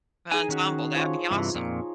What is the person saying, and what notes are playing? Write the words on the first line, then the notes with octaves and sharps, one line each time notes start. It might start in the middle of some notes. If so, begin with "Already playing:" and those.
an ensemble, that'd be awesome.
D#4 G#4 G#5
D#3 C#4 F#4
F3 C#5
G2 C3 E3
F2 A#2